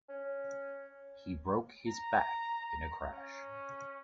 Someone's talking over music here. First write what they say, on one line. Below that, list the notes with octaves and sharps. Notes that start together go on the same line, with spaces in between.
He broke his back in a crash.
C#4
A#5
C#4